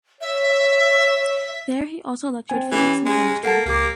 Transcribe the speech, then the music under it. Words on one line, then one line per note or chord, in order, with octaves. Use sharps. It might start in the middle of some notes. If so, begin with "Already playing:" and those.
There he also lectured physics and chemistry.
C#5 E5
C4 G#5
E3 C#4 G4
G#3
A#3 A4 F#5 A5
C#2 A#3 G4 D6